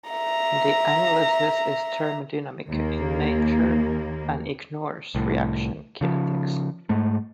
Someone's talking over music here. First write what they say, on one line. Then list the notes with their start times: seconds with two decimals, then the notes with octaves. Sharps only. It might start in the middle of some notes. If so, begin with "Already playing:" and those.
The analysis is thermodynamic in nature and ignores reaction kinetics.
0.10 E5 A#5
2.70 D#2 A#3
5.15 C2 A2
6.01 C#3 F3
6.89 G#2 G#3 A3